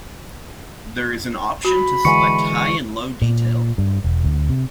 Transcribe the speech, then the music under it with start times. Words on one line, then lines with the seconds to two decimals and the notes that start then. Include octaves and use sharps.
There is an option to select high and low detail.
1.65 F#4 B5
2.05 D3 E3 G#3 C#6 C#7
3.22 A#2
3.78 G2
4.04 E1
4.25 D2
4.49 C3